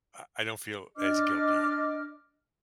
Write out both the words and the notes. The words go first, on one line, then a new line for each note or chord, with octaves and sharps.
uh, I don't feel as guilty
D4 D#5 D6 F6